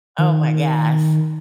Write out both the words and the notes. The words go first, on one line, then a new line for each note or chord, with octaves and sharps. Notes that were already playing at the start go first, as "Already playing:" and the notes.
Oh my gosh.
D#3